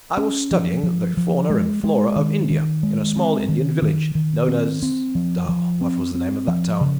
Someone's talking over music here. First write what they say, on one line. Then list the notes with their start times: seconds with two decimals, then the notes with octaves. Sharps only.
I was studying the fauna and flora of India, in a small Indian village, known as ah--what was the name of that town!
0.17 C#4
0.51 F3
0.83 F3
1.17 F3
1.50 G#3
1.83 G#3
2.16 D#3
2.50 D#3
2.83 G#3
3.16 C4
3.49 D#3
3.82 D#3
4.15 D#3
4.48 C4
4.82 C4
5.15 F3
5.49 F3
5.81 C4
6.15 C4
6.48 F3
6.81 C#3